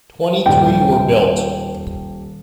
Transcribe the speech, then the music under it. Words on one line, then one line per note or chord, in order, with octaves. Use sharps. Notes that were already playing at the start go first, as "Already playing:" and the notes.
Twenty-three were built.
D#1 G4 G5